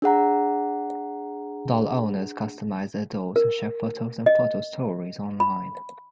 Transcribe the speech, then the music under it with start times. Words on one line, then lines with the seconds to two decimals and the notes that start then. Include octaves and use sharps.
Doll owners customize their dolls and share photos and photo stories online.
0.02 D4 G#4 F#5 A#5
3.36 A#4
4.26 D#5
5.40 B5